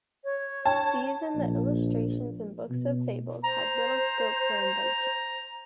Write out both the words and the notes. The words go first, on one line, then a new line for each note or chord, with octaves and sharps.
These and the illustrations in books of fables had little scope for invention.
C#5
A5
A#1
B2
C5 A#5